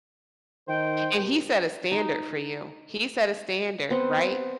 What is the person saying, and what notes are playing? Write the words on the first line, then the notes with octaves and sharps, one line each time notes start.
And he set a standard for you. He set a standard, right?
D#3 C5 D#5 G5
B2 G4 A#4
D#4
B3 C4 F#5